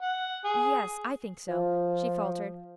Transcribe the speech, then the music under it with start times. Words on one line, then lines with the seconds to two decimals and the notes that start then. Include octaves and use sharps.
"Yes--I think so," she faltered.
0.02 F#5
0.45 G#4
1.48 F3